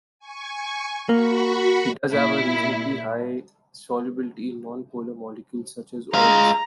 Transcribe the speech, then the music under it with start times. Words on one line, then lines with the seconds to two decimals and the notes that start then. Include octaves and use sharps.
It does have a reasonably high solubility in non-polar molecules such as oils.
0.19 G#5 C#6
1.09 A#3 F#4 B5 C#6
2.12 A#2 E4
6.14 G#3 F5 A#5